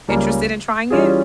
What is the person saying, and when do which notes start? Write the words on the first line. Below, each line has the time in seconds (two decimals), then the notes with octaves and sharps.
interested in trying it?
0.08 C#2 C#3 G3 A#3
0.90 E3 G3 C#4 F4 G#4